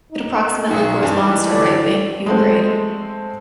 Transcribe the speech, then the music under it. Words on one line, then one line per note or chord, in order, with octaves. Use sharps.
It approximately corresponds to Right-bank Ukraine.
D#4
B1 D#4 F#4 G#4
G2 E3 G3 E4
D3 A3 D5
G#3 A3 C4